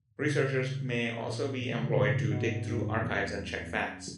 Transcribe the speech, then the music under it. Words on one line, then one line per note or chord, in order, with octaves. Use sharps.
Researchers may also be employed to dig through archives and check facts.
A#2 C#3
F#2 A#2
F#2 A#2
F#2 A#2
C#3 E3
B2 D#3
A#2 C#3
G#2 B2
G#2 B2
E2 G#2
E2
F#2
E2
F#2
F#2